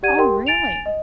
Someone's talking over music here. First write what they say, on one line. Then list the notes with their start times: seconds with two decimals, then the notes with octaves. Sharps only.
Oh, really?
0.03 G4 D5 F#5 G#6 D#7
0.18 G4 A#4 G5 C6
0.47 G#5 A6 D7 F7
0.86 D#5